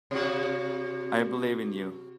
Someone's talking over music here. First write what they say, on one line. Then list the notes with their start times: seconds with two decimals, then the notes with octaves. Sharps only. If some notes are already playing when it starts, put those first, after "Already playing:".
I believe in you.
0.11 C3 F#4